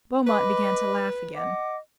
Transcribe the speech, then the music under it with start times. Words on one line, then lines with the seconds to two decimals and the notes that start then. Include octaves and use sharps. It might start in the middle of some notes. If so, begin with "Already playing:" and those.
Beaumont began to laugh again.
0.27 B4 D#5 B5 D6
1.35 D#5 F#5 D6